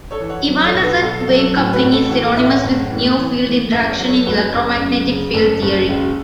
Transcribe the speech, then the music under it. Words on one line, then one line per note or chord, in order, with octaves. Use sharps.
Evanescent-wave coupling is synonymous with near field interaction in electromagnetic field theory.
A4 C#5
E3
C#5 F#5
F#3
A4 C#5
B1
F#4 B4
F#4
B1 A4
A4
F#3
A4
A2 F#4
F#4 B4
A1
A4
E3 F#4
A4
A2 B4 E5
C#5 F#5
F#1
E3
E3
E3
F#1 E5 A5
C#5 F#5
F#3
A4 C#5
F#1 F#4 B4
F#1
F#2
C#3
F#1 A4
F#1
C#2